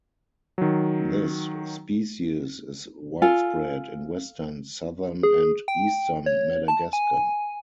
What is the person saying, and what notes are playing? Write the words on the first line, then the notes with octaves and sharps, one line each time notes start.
This species is widespread in western, southern, and eastern Madagascar.
D#3 F#3
F4 A4 G#5
G#4
G5
C#5
A5
G#5